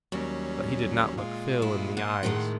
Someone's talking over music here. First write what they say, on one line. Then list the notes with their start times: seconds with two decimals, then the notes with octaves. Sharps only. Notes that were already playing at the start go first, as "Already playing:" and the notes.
But he did not look Phil in the eyes.
0.12 D#2 F#3 G3 C#4
1.17 A#2 G#3 F4
1.62 E4
1.97 A#2 F#5 C6
2.23 A2 D#3 G#3